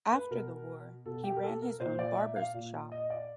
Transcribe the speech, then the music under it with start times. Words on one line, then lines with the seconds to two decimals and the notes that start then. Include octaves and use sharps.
After the war, he ran his own barber's shop.
0.12 B4
0.31 B2 A#4
1.06 B2 A4
1.24 G4
1.36 A#4
1.43 A4
1.62 A#4
1.80 A#2 C5
1.99 D5
2.17 E5
2.36 F5
2.54 A#2
2.92 D#5
3.10 D5